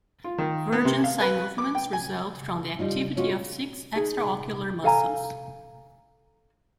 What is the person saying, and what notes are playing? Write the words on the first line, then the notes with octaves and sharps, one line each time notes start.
Vergence eye movements result from the activity of six extraocular muscles.
F4
D#3
B3
C3
F5
B4
D6
G5
G#5
G3 D#4 F4
G#3 C#4 F4 F#4
D#4 G#4
A4 F5 G#5 A#5